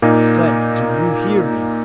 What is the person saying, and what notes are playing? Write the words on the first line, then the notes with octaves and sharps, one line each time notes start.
"I said, do you hear me?"
A#2 A#3 D#4